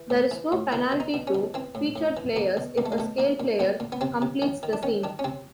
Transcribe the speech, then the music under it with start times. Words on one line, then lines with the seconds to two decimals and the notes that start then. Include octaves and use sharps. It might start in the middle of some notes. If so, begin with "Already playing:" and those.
There is no penalty to "Featured" players if a "Scale" player completes the scene.
Already playing: E3
0.10 A2
0.31 E3
0.52 A2
0.72 B2 E4
0.92 B2
1.00 D#4
1.14 B2
1.27 C#4
1.35 B2
1.54 E3 C4
1.75 A2
1.96 A2
2.17 E3
2.36 B2 A#3
2.57 B2
2.78 B2 A#3
2.86 A3
2.92 G#3
2.98 B2 A3
3.18 A#2 A#3
3.40 A#2
3.60 A#2 B3
3.80 A#2
3.92 B3
4.01 C3 C4
4.22 C3
4.42 D#3 C#4
4.63 D#3
4.73 D4
4.83 D#3 C#4
5.04 D#3 D4
5.19 C#4
5.24 C3 C4